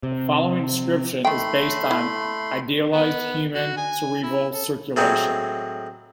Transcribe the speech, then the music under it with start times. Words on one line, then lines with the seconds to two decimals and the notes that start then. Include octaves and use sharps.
The following description is based on idealized human cerebral circulation.
0.03 C3
1.25 D#3 A3 G5 B5 C6
1.91 E4
2.92 B3
3.55 F#4
3.77 G#5
4.23 E4
4.54 A4
4.96 A2 F#3 G#3 C4